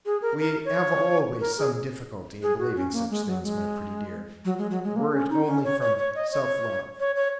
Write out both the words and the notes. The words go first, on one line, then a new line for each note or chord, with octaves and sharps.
"We have always some difficulty in believing such things, my pretty dear, were it only from self-love."
G#4
A#4
A#4
C#5
A#4
G#4
G#4
F#4
C#4
A#3
G#3
F#3
G#3
F#3
G#3
F#3
G#3
A#3
C#4
D#4
C#4
C#5
C#5
C#5
D#5
C#5
C#5
C#5